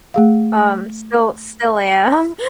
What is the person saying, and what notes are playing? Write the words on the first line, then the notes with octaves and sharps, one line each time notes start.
um, still still am.
A3 G#4 F5